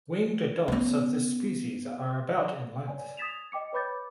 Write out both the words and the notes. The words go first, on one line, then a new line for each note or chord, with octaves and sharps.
Winged adults of this species are about in length.
B3 C#4
C#5 D5 G#5
D#6 G#6 A6 B6 E7 F7
D#5 G5 D6 C#7
B4 C#5 B5 D6 G6 A6